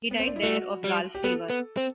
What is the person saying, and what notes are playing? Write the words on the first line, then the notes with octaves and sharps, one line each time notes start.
He died there of gall fever.
B3
C4
D4
E4
A3 F#4
G3
G4
B3 A4
B3
C4